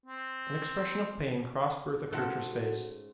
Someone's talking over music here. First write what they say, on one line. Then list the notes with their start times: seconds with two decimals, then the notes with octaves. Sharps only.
An expression of pain crossed Bertha Kircher's face.
0.06 C4
2.13 G#2 C#3 F#4 A4